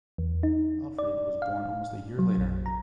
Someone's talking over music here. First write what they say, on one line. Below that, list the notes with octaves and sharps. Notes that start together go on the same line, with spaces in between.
Alfried was born almost a year later.
E2
D#4
D5
F5
F#3
A#1
A#5